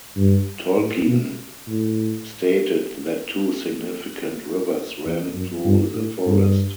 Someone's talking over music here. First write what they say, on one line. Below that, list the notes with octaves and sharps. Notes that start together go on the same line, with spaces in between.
Tolkien stated that two significant rivers ran through the forest.
G2
A2
B2
A2
E2
F#2
G2
A2
G2